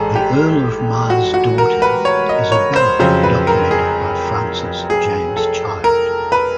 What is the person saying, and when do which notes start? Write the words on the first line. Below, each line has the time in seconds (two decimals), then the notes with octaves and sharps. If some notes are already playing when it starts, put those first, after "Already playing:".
The Earl of Mar's Daughter is a ballad documented by Francis James Child.
Already playing: A1 G#2 G#4 A4
0.15 G4
1.10 F#4
1.34 F#4
1.58 A#4
1.82 B4
2.05 C#5
2.29 D#5
2.52 C#5
2.76 C5
2.99 F2 C#3 F#3 C5
3.23 B4
3.47 A#4
3.71 G#4
4.90 G#4
5.37 A4
5.84 A#4
6.32 B4